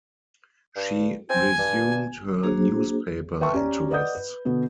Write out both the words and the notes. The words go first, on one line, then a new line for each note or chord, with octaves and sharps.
She resumed her newspaper interests.
G2
C4 G#5
G2
A#3 D4 F#4 G#4 C5
B4 E5 G5 A5 C6 C#6
C#4 G4 D5 A#5
B4 D5 D#5 F#5 D#6 G6
B4
B2 D3 B3